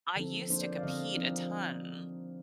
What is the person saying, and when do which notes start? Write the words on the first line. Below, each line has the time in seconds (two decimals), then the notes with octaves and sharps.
I used to compete a ton,
0.16 D3 F3 C4 D#4 A4
0.49 F3 A#3 D4 C5
0.61 D5
0.72 D5
0.78 F5
0.83 D3 G3 C4 D#5
1.16 F3 C4 D#4